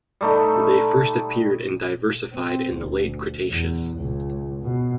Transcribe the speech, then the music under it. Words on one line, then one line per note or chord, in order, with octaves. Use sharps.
They first appeared and diversified in the Late Cretaceous.
G3 A3 D#4
C4
D2
E2
C#2
B2